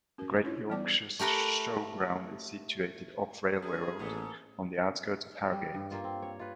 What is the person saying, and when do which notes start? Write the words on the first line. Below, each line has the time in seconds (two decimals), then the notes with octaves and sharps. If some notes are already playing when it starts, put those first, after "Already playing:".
The Great Yorkshire Showground is situated off Railway Road, on the outskirts of Harrogate.
0.18 C#4 F#4 A#4
0.44 C#4 D4 E4 F4 C#5
0.69 E3 G3 B3 D5 D6
1.19 A3 G4 A#4 B4
3.62 C#4 G#4
3.99 A1 G#2 A#3 A4
5.52 G3
5.74 G2
5.91 A#3 F4
6.04 C4
6.22 C#5
6.39 F4 B4